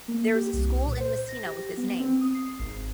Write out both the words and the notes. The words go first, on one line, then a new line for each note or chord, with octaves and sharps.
There is a school in Messina with his name.
A#3
G4
C2
A#2
C5
A#6
G4
B3
C4
D#6
C7
G#1